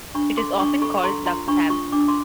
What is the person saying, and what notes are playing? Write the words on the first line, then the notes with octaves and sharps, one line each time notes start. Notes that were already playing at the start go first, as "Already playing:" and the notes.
It is often called Duck Stab!
D4 B5 C#6
A4 C6 D6
D6
D4 C#6 D#6
A4 B5 C#6
C#6
A4 A#5 C6
F4 A#5 C6
D4 B5 C#6
F4 C#6 D#6
D4 D6
D#6
C6 D6